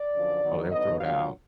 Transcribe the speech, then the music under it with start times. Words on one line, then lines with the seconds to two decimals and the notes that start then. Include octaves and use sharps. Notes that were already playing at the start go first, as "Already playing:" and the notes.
Oh, they'll throw down.
Already playing: D5
0.13 F#2 D3 F3
0.42 D#3 F#3 B3 D#4
0.71 D3 F#3 B3 D#4 D#5
1.00 A#2 F#3 D4 F4 F5